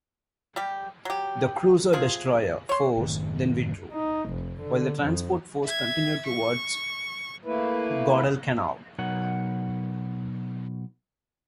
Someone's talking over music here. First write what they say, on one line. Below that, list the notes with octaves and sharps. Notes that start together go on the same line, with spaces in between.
The cruiser-destroyer force then withdrew, while the transport force continued towards Guadalcanal.
G3 G4
F#3 G4
C3 F3 G#4
C#5 C6
F#1 A2 D#3
D#4
F1
D3
F2
E5 G#6
C#6
A3 A#3 E4 B4
B2 F#3 D#4 A#4 C#5 F#5